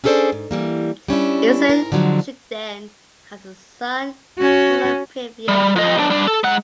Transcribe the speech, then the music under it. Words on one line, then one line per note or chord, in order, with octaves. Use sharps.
Ilse Schouteden has a son from her previous marriage.
C#4 D4 G#4 A4 C5 D5
G#2
E3 G3 A#3
G3 C#4 D4 E4
G#2 A#4
D3 F3 F#3 G#3
C#4 F#4
G3
F3 D#5
B1 D4
G3 D4
A4
G#3 F#5